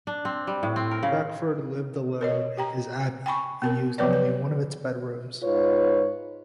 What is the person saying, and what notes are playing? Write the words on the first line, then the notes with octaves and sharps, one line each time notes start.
Beckford lived alone in his abbey and used only one of its bedrooms.
D4
C4
G3
A2
C4
A#4
C#3
A#4 C#5 D#5
G4 G5 A#5
G5 G#5 B5 C#6
B3 C4 A#4
F3 F#3 B3 B4 C#5 D5
B4
G#2 F4 B4 C#5